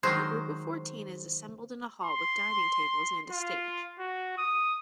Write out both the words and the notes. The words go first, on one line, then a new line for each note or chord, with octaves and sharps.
A group of fourteen is assembled in a hall with dining tables and a stage.
D#3 F#3 G#3 C5
C6
F4
F#4
D#6